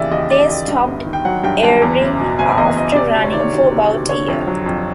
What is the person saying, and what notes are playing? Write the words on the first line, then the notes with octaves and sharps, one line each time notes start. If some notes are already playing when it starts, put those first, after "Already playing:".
They stopped airing after running for about a year.
Already playing: D#2 C#3 E3 D5 E5
D#2 D#5
C#3 D5
D#2 D#5
G2
G1
D#3
G5
F#3 F#5
G2 G5
G1 A5
E2
F#1
B2
F#1 G#5
E2 D#5
F#1 D#5
C3 D5
D2
C#5
D#3 D5
C#5
D2
C3
D2
D3 C#5
F2
F#3
F2